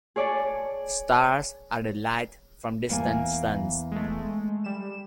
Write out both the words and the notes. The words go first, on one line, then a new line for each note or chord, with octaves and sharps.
Stars are the light from distant suns.
G#4 C#5 D5 G#5 A5
E2 A#3 G#5
G#3 A3
G3 E7